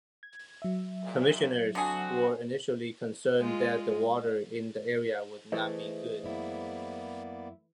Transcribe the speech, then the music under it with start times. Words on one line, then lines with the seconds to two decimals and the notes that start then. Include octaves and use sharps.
Commissioners were initially concerned that the water in the area would not be good.
0.23 G#6
0.62 F#3 E5
1.02 D2 A#2 G#3
1.75 D3 C4 F#4 G#4
3.39 G#3 F4
5.52 E3 A3 G#4 C5 D#5
6.23 F#2 A#3 B3 E4 D5